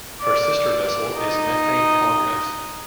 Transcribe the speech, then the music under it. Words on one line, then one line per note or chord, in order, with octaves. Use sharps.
Her sister vessel is "Methane Progress".
D5
D#4 D#5